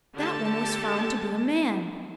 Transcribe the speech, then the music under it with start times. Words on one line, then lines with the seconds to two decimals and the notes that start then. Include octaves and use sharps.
That one was found to be a man!
0.16 D3 A3 G4 A4 A5